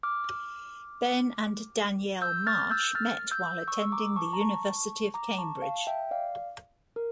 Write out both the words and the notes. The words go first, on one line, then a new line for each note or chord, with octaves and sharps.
Ben and Danielle Marsh met while attending the University of Cambridge.
D6 F6
E6 G6
F6 A6
E6 G6
F6 A6
E6 G6
C#6 E6
E6
A#5 D6
A5 C#6
A#5
A5 C#6
A#5 D6
A5 C#6
F5 A5
E5 G5
D5 F5
A#4